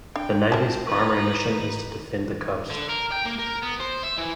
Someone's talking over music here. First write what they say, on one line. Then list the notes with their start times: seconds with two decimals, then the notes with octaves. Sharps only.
The Navy's primary mission is to defend the coast.
0.16 D4 G5
0.52 C4 A#4 A5
0.86 D#4 B4
2.70 D3
2.89 A#4
3.12 G5
3.25 A#3
3.39 A#4
3.62 B3
3.80 C5
4.03 E5
4.18 E3